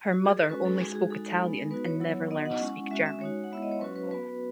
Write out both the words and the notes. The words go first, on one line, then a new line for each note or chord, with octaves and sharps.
Her mother only spoke Italian and never learned to speak German.
F#4
G#4
A4
G#3 C#4 F#4 B4
A4
G#3 D#4 F#4 G#4
G#4
G#3 D#4 F#4 A4
G#3 B3 D#4
B3 D#4 F#4 B4
C#5
F#3 B3 E4
B3 D#4 F#4 D#5
F#5
G#3 C#4 E4
G#3 C#4 F#4 E5
E5
G#3 D#4 F#4 C#5
F#5
G#3 B3 E4 E5
D#5
C#5
F#3 C#4 F#4 B4
B4
B3 F#4 B4